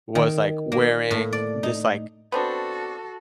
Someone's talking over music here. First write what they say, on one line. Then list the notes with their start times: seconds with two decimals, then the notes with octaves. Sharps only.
was, like, wearing this, like,
0.15 D#3
0.72 A#3
1.11 A2
1.33 D5
1.63 D#4
2.32 B3 C4 D4 F#4 A4